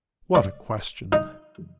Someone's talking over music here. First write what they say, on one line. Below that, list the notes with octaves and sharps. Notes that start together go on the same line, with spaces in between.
"What a question!"
D5
D#4